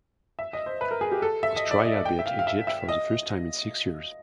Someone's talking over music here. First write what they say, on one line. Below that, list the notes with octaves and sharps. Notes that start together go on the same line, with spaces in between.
Australia beat Egypt for the first time in six years.
E5
D#5
C5
B4
A#4
G#4
G4
A4
E5
D#5
D5
D#5
G5
E5
F5
F5
E5
E5
D#5